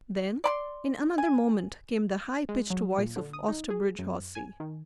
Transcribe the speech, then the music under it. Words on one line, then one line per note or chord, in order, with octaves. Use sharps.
Then, in another moment, came the high-pitched voice of Osterbridge Hawsey.
D5 B5 C6
G#5
G#3
F#3
A#2
D3
D#6
D#4
G#4
F#2
G#5
D#3